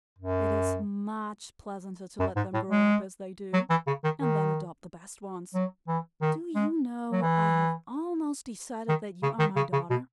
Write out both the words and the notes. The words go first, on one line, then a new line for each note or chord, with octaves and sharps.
It is much pleasanter to let them grow up as they do and then adopt the best ones. Do you know, I have almost decided that you are my daughter?
F#2
F#2
G#2
A2
G#3
F#3
E3
C#3
D#3
D#3
F#3
E3
D#3
G#3
F#3
E3
D#3
C#3
D#3
C#3
C#3
B2